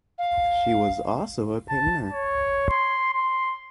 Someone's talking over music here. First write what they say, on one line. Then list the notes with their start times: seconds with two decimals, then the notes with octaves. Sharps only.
She was also a painter.
0.18 F5
1.69 A5
2.12 C#5
2.69 C6
3.13 C6